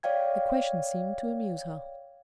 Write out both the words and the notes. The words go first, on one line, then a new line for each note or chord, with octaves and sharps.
The question seemed to amuse her.
C#5 D5 F5 G5 G#6